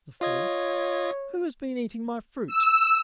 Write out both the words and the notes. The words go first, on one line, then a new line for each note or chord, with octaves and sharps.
The fourth, "Who has been eating my fruit?"
F4 C#5 D#5 G#6
E6